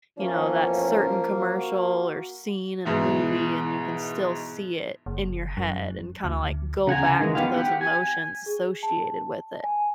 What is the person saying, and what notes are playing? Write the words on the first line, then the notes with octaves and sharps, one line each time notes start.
you know, that certain commercial or scene in a movie and you can still see it in your head and kinda, like, go back to those emotions associated with it.
E3 F3 A#3 B3 C#4
F#4
G#2 B2 E3
F#1
F#2
D2
C#3 F#5 G#5 A#5
D#3 E3 G#3
B3 G4 F5
G4 F#5
G#5
G#4
A5
G#5